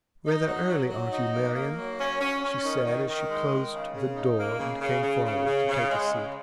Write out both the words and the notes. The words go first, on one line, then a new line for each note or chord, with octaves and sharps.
'Rather early, aren't you, Marian?' she said, as she closed the door and came forward to take a seat.
D#4
F#3
F#3
F#3
D#4
A#3
A#3
F#3
C#4
C#4
C#4
D#3
D#3
D#3
G#3
D#3
C#3
C#3
D#4
A#3
C#3
C#3
C#3
C#3
C#3
C#3
G#3
C#3